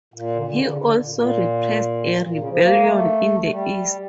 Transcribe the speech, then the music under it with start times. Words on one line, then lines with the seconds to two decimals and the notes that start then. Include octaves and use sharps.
He also repressed a rebellion in the east.
0.14 A#2
0.37 D3
0.47 D3
0.59 C#3
0.69 D3
0.81 D3
1.03 A#2
1.14 A#2
2.15 A#2
2.27 A#2
2.38 C#3
2.49 F3
2.61 A#3
2.79 G3
2.83 A3
3.40 A3
3.50 G3